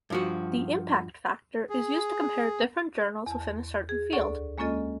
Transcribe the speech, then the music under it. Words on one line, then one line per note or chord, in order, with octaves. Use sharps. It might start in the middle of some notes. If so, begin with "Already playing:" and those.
The impact factor is used to compare different journals within a certain field.
G2 F3 F#4
G#4
E2 A5
G#4
D2 A4 D5 C#6
G#3 A#3 C#4 F4 A4 D#5